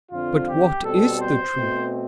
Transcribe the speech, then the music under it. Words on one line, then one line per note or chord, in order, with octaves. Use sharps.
"But what is the truth?"
F2 D3 F3 C4 F4
G4
B2 G3 C4 A4
C5
B2 A3 C4